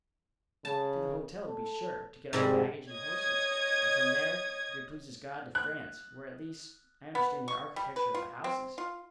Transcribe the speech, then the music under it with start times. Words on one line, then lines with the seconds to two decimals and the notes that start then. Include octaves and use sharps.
"To the hotel, to be sure, to get our baggage and horses; and from there, if it please God, to France, where, at least, I understand the architecture of the houses."
0.65 C#3 A5
1.46 A4
2.33 G#2 C3 D#3 G3
2.91 C#5 D#5 D#6 G#6
5.55 F#6
7.15 B3
7.48 C#6
7.76 G3
7.96 B4
8.14 F4
8.44 C4
8.78 F4